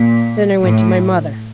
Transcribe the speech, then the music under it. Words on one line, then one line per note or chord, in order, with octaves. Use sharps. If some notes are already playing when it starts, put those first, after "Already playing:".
Then I went to my mother.
Already playing: A#2
A2